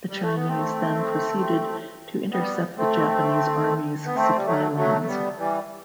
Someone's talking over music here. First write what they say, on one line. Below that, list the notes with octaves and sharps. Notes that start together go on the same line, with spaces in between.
The Chinese then proceeded to intercept the Japanese army's supply lines.
G3
A3
B3
A3 C4
G3 B3
A3 C4
B3
A3 C4
G3
F#3 A3
F#3 A3
A3
G3 B3
E3 G3